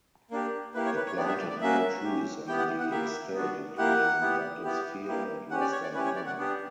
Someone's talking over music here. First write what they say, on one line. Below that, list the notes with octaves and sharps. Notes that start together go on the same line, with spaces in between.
He planted many trees on the estate including Douglas Fir and Western Hemlock.
A#3 D4 G4
A#3 E4 G4 B4
C#5
B4
C#5
B3 D4 G4 D5
E5
D5
D5
A#3 C#4 F#4 E5
C#4 G4
B3 E4 G4 G5
F#5
F#5
A#3 E4 G4 E5
B3 D4 F#4
A#3 E4 G4 F#5
B3 E4 G4
B3 E4 G4
A#3 E4 G4
C#4 G4 F#5
D5
C#5
D5
C#4 E4 G4 B4
C#5
D5
F#5
B3 D4 G4